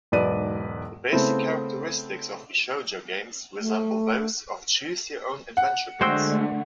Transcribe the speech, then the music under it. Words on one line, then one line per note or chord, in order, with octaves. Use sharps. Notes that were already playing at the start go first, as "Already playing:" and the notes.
The basic characteristics of bishojo games resemble those of Choose Your Own Adventure books.
E1 B1 G#2 B4 D5 D#7
C#3 A3 B3 C4 E4
A3
F#5
D3 G#3 A3 F#4 C5 G5 E6